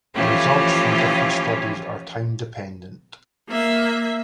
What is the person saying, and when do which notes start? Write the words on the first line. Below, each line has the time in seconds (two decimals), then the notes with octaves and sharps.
The results from different studies are time dependent.
0.14 E3 F3 A3 C#4 F4 G4
3.48 A#3 E5